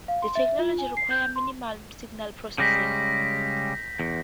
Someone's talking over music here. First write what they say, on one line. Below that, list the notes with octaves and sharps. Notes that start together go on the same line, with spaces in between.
The technology requires minimal signal processing.
F5
C6
E5
F4
G#5
C7
G6
C6
C#3 G3 G#3 G6 A#6 B6
E2